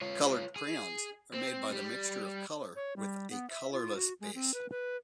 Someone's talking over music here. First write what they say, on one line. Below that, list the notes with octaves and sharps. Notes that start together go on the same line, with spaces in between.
Coloured crayons are made by the mixture of colour with a colourless base.
F4 C#5
G#4
C4
G3
C#5
G3
B3
E5
F4
F#4
G#3
C4
B4
B4